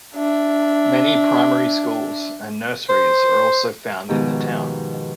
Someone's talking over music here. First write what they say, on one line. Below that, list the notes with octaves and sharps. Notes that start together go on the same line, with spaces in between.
Many primary schools and nurseries are also found in the town.
D4 E5
C5
G#2 B2 D#3 F3 D#4 G4